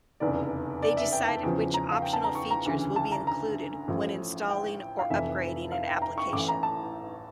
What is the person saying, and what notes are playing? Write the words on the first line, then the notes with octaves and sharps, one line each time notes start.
They decide which optional features will be included when installing or upgrading an application.
F1 E2 C#3 D5
D5
E5
G5
A5
E2 C#3 F3
A#5
F5
G5
A5
A#5
C#6
A#5
D2 C#3 E3
A5
A#5
A#5
A1 A2 F3
G5
F5
F1 F2 E3 E5
F5
G5
A#5
C#6
A1 A2 E3 D6
A#5
A5